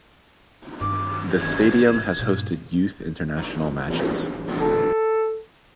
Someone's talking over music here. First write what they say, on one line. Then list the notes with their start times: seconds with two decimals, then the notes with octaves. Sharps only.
The stadium has hosted youth international matches.
0.81 G2 D#3 D6
1.41 G#6
2.19 G2 A#2
4.61 A4